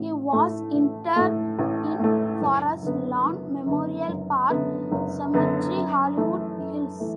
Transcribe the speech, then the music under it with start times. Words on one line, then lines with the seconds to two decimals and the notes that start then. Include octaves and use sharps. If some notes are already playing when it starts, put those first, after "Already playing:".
He was interred in Forest Lawn Memorial Park Cemetery, Hollywood Hills.
Already playing: A1 A2
0.33 A2 A3
0.75 A1
1.16 A2 A3
1.59 A1
1.99 A2 A3
2.41 F#1
2.83 F#2 D3 B3
3.25 F#1
3.66 F#2 D3 B3
4.08 F#1
4.50 F#2 D3 B3
4.92 F#1
5.34 F#2 D3 B3
5.76 F#2
6.17 E3 A3
6.58 F#2
7.00 E3 A3